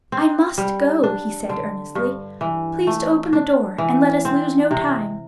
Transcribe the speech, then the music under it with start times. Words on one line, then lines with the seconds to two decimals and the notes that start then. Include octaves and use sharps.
"I must go," he said earnestly, "please to open the door, and let us lose no time."
0.12 C4
0.58 G3
1.04 D4
1.49 D3
1.95 G2
2.41 E3
2.87 A3
3.33 D4
3.78 E3
4.25 C4
4.71 C3